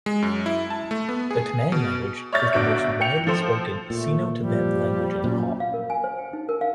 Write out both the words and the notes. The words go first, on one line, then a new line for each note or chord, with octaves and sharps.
The Tamang language is the most widely spoken Sino-Tibetan language in Nepal.
G#3
F#2
E4
A5
A3
B3
G#4
B2
C#5 D5 E5 F6 G6 A6
G1 D4 F#4 E5 D7
G5 G6 C#7 F7
F3 A4 C5
A#2 A3
F3 G3
A#2 F#3 C#4
F5
A#4
G#5
C5
G5
D#4
A#4
F5